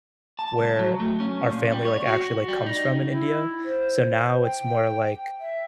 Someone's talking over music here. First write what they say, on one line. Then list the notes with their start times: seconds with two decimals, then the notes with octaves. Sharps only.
where our family, like, actually, like, comes from in India. So now it's more, like,
0.39 A5
0.59 C#2
0.79 F#3
1.00 A3
1.20 C#4
1.51 A#2
1.72 G3
1.85 C#5
2.06 F#4
2.48 G3
2.66 D#4
3.10 E4
3.65 C5
4.43 G5
5.40 E5